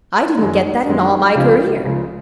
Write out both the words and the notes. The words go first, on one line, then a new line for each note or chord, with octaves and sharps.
"I didn't get that in all my career."
F#2 D#3 G#3
F#2 D#3 G#3
C#2 C#3 F3 G#3
C#2 C#3 F3 G#3